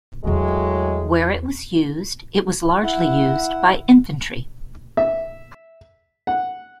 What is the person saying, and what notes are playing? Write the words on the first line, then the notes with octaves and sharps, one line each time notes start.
Where it was used, it was largely used by infantry.
E2 A2 F#3 G#3 A3
E4 F#5
E5
F#5